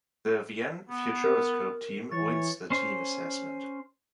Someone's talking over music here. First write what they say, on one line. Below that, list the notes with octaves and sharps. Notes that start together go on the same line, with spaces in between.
The Vienne Futuroscope team wins the team assessment.
B3
A#4
E3 C#5 A6
C#4 C5